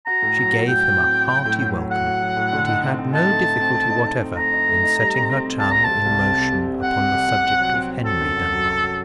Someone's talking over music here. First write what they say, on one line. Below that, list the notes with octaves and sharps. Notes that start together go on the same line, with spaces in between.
She gave him a hearty welcome, and he had no difficulty whatever in setting her tongue in motion upon the subject of Henry Dunbar.
F#4 A#5
A2
F#3
F#4
A2 G5
A2
C4
C4
F#3
A2
F#3
F#3
F#4 F#5
F#4
F#3
A2
D3
D#4
C4
C4
D#4 A5
A3
D#4
C4
C4
D#4
D#4
C4
A3 A#5
D#4
A3
D#4
G3
C4
C4
C3
C2 A5
C4 A#5
A5
C2
C2
C4
C3
C3
C3
C4 F#5
C3
C2
C2
C4
F#3
C4
C4
F#3 A4
F#2
F#3
F#3
F#3
F#3